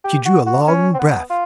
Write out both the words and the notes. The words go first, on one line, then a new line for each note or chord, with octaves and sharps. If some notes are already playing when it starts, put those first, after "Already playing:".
She drew a long breath.
G4
F#4
F#4
C#4
C4
B3
F4